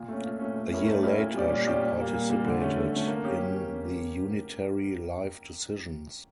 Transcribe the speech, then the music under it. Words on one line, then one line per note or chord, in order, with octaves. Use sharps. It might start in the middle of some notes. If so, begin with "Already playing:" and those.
A year later she participated in the Unitary Life Decisions.
Already playing: A#2
A3 C#4
A#2
A3 C#4
A3
C#4 E4 G4 A#4
A3
C#4 E4 G4 A#4
A#2
G3 C#4 G4 D5
A#2
G3 C#4 G4 D5
A#2
G3 A#3
A#2
G3 A#3
D3
A3 C#4
D3
A3 C#4
A#3
C#4 G4
A#3
C#4